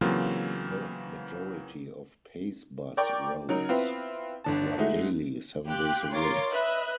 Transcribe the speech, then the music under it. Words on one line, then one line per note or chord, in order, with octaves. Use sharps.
The majority of Pace bus routes run daily, seven days a week.
C#3 E3 F#3 A#3 C4 F4
A#4 D5 G5 C#6 D6
C#3 F#3 D#4 A#4
B3 C4 E4 F4 B4
G1 D3 A5
G#3 A3 D#4 E4 F#4
F4 G4 G5 F#6
F4 A#4 C#5 C6 D6 A6
B4 D#5 E5 F#6